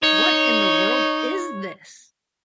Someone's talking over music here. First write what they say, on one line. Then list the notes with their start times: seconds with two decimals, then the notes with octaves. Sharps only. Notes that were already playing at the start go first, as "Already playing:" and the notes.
What in the world is this?
0.03 D#4 C#5